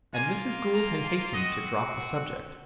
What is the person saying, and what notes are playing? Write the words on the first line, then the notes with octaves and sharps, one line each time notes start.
And Mrs. Gould had hastened to drop the subject.
A#3 F4 G#5
A#5
C4 F#4 D#5